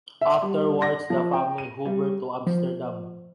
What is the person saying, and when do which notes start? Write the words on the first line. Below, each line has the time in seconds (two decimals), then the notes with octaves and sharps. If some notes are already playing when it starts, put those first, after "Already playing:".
Afterwards the family Huber to Amsterdam.
0.21 E5
0.42 G3
0.82 A#6
1.10 F3
1.34 G5
1.58 D#7
1.85 G3
2.47 F3